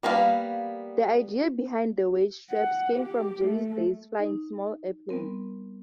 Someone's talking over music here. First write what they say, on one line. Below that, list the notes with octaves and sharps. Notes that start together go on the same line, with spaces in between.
The idea behind the weight straps came from Jerry's days flying small airplanes.
G3 A#3 B3 B4 F5
F#5
G4
A3
D#4
G3 B3 C4 A#4